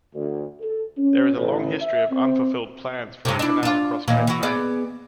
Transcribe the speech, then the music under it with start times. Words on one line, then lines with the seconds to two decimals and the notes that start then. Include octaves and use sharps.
There is a long history of unfulfilled plans for a canal across Cape May.
0.15 D2
0.60 A4
0.98 C#4
1.35 A1
1.82 E5
2.11 C4
3.25 G2 C3
3.39 D4 E4
3.63 D4 F4
4.08 D#2 A#2 E3
4.27 E3 F#4
4.43 B3 G#4 D5